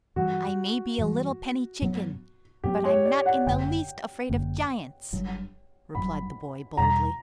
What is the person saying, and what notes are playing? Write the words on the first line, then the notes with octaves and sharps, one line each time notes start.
"I may be a little penny chicken, but I'm not in the least afraid of giants," replied the boy boldly.
G2 E3 G3 F#4
G2 E3 G3
G2 F#3 B3
G2 F#3 B3 G4
C#5
D5
F#5
G1 F#2 D3 A#3 G5
G1 F#2 D3 A#3
G1 G2 F#3
G1 G2 F#3 B5
E2 B2 G3 A#5